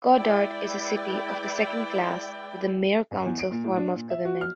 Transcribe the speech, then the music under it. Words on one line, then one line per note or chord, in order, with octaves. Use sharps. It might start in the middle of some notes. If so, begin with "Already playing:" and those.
Goddard is a city of the second class with a mayor-council form of government.
G#3 E4 B4 D5 G5
F#2
E2
D7
A#2
A2
D4
A#2
E5
F#4
F6